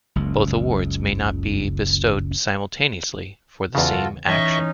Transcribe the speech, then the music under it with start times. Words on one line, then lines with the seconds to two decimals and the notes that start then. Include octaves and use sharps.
Both awards may not be bestowed simultaneously for the same action.
0.16 F#1 C#2
3.75 E2 C#3 F4 F#4 A4
4.28 E3 C#4 D#4 D#5 E5 C#6